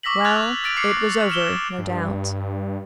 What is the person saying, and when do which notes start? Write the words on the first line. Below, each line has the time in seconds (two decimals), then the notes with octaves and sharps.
Well, it was over, no doubt.
0.03 C#6 D6 E6 A#6 B6 F#7
0.25 F6 F#6 G#6 A6 F7
0.64 E6 A6 D7 F7 F#7
0.77 D6 C7 C#7
1.29 F6 E7 G7
1.78 G2